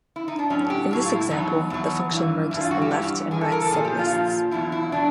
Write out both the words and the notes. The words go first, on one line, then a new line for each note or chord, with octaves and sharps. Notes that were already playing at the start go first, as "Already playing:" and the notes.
In this example, the function merges the left and right sublists.
E4
D#4
D4
A2 F#3 C#4
G4
A2 F#3
F4
E4
E2 B2 F#3 D#4
E2 B2 F#3
G2 E3
G2 E3 E4
F4
F#4
G4
G2 E3
G2 E3 G#4
A4
A#4
A4
A#2 F3 G#4
G4
F4
A#2 F3
E2 B2 F#3 E4
E4
B2 F#3 D4